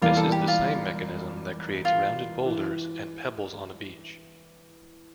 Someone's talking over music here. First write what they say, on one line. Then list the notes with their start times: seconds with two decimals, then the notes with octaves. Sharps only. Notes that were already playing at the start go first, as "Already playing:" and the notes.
This is the same mechanism that creates rounded boulders and pebbles on a beach.
0.02 E1 E2 E3 G3 A#3 F4
0.17 A4
0.32 G4
0.48 F4
1.85 F4
2.46 E3